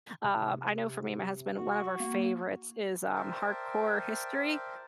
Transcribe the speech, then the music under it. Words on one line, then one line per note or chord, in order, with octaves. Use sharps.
Um, I know for me and my husband, one of our favorites is, um, Hardcore History,
C3
F#4
A#3
A#4 C5 D5 E5 G5 A5